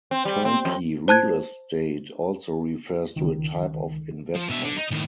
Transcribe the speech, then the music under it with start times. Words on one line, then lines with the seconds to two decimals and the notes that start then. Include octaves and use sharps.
Turnkey real estate also refers to a type of investment.
0.11 C4
0.25 G3
0.45 C4
0.65 F2
1.08 C5 A5 F#6 G#6
3.16 C#2 D#3
4.35 F3
4.50 B2 E5
4.64 D3
4.77 D#4
4.91 A2 D#3